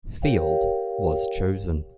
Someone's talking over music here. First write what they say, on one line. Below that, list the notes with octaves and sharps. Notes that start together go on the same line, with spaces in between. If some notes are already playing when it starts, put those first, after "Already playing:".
Field was chosen.
G4 A#4 C#5 F5 G5